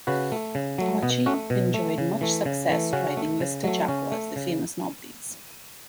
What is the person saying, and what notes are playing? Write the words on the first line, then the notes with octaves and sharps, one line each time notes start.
Archie enjoyed much success driving Lister-Jaguars - the famous "Knobblys".
C#3 F#4 B4
A3
C#3
F#3 A3
B2 B3
A3 C#4 F#4
B2
A3
C#3
E3 A3
C#3
E3 A3
C#3 C#4 F#4
A3
C#3
F#3 A3
C#3 C#4
A3
C#3